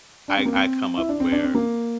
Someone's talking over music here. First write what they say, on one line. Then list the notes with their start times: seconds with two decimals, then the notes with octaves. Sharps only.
I I come up where
0.28 D4
0.37 C4
0.45 A#3
0.55 C4
0.97 E4
1.09 D4
1.20 C4
1.32 D4
1.43 C4
1.55 A#3